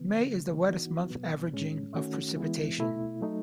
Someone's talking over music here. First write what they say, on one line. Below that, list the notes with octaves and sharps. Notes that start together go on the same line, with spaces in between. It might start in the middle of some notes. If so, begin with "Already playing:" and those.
May is the wettest month, averaging of precipitation.
Already playing: C#3 E3 B3
C#3 F#3 A3
E3 B3 D#4 F#4
B2 F#3 B3
A2 G#3 C#4
D#3 A3 C#4 F#4
E3 G#3 B3 E4
B2 A3 E4
F#3 A3 D#4